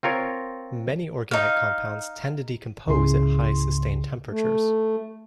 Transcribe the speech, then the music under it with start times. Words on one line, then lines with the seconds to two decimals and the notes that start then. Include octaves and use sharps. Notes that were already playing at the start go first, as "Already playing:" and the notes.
Many organic compounds tend to decompose at high sustained temperatures.
0.03 C4 F4 A#4 C#5
1.31 D#4 F5
2.87 C#2 G#2 C#3 E4 G#4 C6
4.29 A3